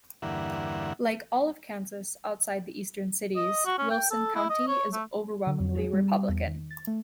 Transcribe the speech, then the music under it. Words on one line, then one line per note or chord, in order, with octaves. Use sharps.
Like all of Kansas outside the eastern cities, Wilson County is overwhelmingly Republican.
E2 G2 D3 A#3 E4 F#5
D#5
F#4
C#4
G5
A4
E4
D#5
C#5
A3
D3
F2
G#4
G3
E2
D#3
A6
A3